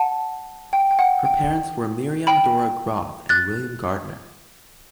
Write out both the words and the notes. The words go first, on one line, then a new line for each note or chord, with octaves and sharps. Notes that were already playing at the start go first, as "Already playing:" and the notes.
Her parents were Miriam Dora Groth and William Gardner.
Already playing: F#5 A5
G5
G5
F#5
G5
G5 B5
F#6 A6